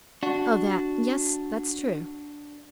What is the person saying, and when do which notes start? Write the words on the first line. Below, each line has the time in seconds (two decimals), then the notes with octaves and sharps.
"Oh, that,--yes, that's true."
0.23 D4 F#4